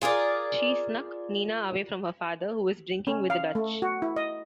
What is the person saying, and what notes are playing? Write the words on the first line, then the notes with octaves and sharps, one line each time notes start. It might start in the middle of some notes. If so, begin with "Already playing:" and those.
She snuck Nina away from her father, who was drinking with the Dutch.
F4 G#4 A#4 D5
C#4
F5
A3
F#4
E4
D#5